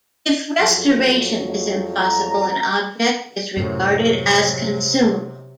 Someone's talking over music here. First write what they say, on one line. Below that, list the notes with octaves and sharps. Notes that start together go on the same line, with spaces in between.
If restoration is impossible an object is regarded as consumable.
F2 F#3
A#5
F#2 A2 C3 F#3